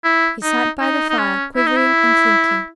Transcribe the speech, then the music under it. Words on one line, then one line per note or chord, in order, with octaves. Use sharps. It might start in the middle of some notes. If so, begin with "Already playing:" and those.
He sat by the fire quivering and thinking.
E4
D#4
D#4
D#4
C#4
E4
D#4
E4